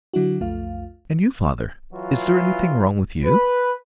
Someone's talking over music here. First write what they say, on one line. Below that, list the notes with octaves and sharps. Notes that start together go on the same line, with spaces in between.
"And you, father--is there anything wrong with you?"
D3 F#3 D4 E4 F#4
B1 F2 A3 F4 F5
E3 F#3 F4
B4